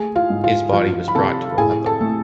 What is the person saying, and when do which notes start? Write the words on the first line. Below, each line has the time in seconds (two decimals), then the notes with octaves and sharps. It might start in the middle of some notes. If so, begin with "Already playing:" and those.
His body was brought to Aleppo.
Already playing: A3 G#4 G#5
0.16 F4 F5
0.30 G#2
0.44 F4 F5
0.73 F3 F4 F5
1.08 B5
1.15 C3 A4 A5
1.58 A2 G#4 G#5
1.86 A4 A5
2.01 A3